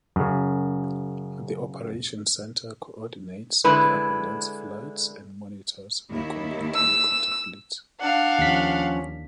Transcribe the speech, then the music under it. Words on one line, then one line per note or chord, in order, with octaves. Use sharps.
The operation centre coordinates the ambulance flights and monitors the complete helicopter fleet.
F#2 C#3
D3 G#3 E4 B4
D#2 E4
E6
D4 F5 F#5
D#2 F3 C#4 B6